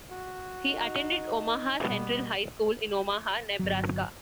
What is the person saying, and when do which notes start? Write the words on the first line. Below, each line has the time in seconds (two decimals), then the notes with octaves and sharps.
He attended Omaha Central High School in Omaha, Nebraska.
0.12 F#4
0.67 D#4
1.83 B2 G3 B3
3.59 G1 F#3